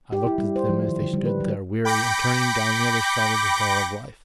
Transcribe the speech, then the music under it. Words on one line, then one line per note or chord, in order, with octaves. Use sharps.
I looked at them as they stood there, weary, and turning down the other side of the hill of life.
G4
E4
G3
C5
F3
D#3
D3
G3
B4
F#3
G5 B5 D6 G6 A#6 C#7